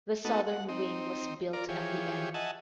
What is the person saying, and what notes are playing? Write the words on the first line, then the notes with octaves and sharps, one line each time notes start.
The southern wing was built at the end.
A3 B3 D#4 F#4 A4
F#5
C4 D#4
F4 A#4 D5
E3 F3 G4 G#4 C#5
D#5 E5 F#5 G#5 A5